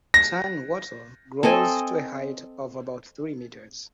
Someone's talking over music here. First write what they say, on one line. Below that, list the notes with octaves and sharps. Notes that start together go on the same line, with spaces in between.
Tan wattle grows to a height of about three metres.
A#6
C4 A4 D#5 G#5